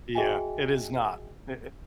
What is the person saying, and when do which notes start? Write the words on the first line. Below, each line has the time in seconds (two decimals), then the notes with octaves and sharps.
Yeah, it is not. I It
0.15 F#4 G#4 D#5 E5 G5 G#5